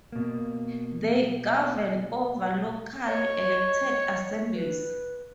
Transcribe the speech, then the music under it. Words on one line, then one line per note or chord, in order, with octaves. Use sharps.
They govern over locally elected assemblies.
B2 A#3
C#5 D#5
B4